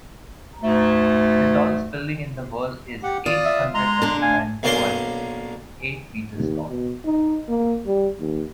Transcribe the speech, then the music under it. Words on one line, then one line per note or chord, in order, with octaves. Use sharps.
The tallest building in the world is eight hundred twenty nine point eight meters tall.
D2 G#2 A3
G4 F#5
F4 D5 D#6
E5
G#3 A#5 C6
D3 D4
F5 G#5
B1 A#3 C#4 D4 F5 C6
D#2
B2
D#4
A#3
G3
D#2